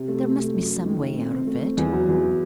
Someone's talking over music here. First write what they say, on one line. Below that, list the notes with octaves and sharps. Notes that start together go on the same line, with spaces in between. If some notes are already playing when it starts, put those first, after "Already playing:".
There must be some way out of it.
Already playing: C3
A3
A3
A3
F#2
A3
D#3
A3
C4
C4
A3
C4
E2
F#3
E2